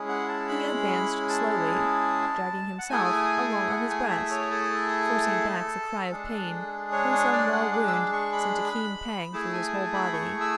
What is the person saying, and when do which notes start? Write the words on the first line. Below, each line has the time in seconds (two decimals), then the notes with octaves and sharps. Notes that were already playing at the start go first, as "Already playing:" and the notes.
He advanced slowly, dragging himself along on his breast, forcing back the cry of pain when some raw wound sent a keen pang through his whole body.
Already playing: G#3 C#4 E4 G#4
0.09 F#5
0.28 A5
0.49 B5
1.29 A5
2.79 F#5
2.90 A3 E4 G#4 G#5
3.70 F#5
3.90 G#5
4.10 E5
4.31 C#5
4.51 A4
6.11 G#3 D4 G#4
6.92 C#5
7.12 C#5
7.33 D5
7.52 F#5
7.73 D6
7.87 E6
7.93 D6
8.13 C#6
8.33 B5
9.33 A3 E4 G#4 A5
9.53 G#5
9.74 A5
9.94 B5
10.13 C#6
10.41 E6